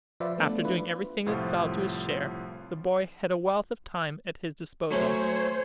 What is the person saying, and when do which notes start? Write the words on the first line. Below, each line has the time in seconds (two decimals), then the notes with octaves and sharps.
After doing everything that fell to his share, the boy had a wealth of time at his disposal.
0.20 F3 F4 B4 C5 D5 E5
0.38 A3 B3 D4
0.64 E4 F4 B4
1.26 C2 A2 F3 F4
4.91 F#3 A3 C#4 C5 C#5